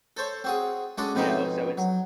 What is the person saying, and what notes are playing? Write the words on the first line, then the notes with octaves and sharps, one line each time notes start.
you know, so it's
A4 C5 C#5
C4 F#4 G#4
G#3 C#4 D4 F#4 A4
F2 G#2 B2 C4 C#4 D#4
F#3